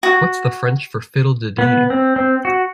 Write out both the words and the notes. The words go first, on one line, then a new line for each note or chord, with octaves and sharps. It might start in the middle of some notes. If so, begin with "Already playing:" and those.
What’s the French for fiddle-de-dee?
F#4
B3
C4
C4
F#4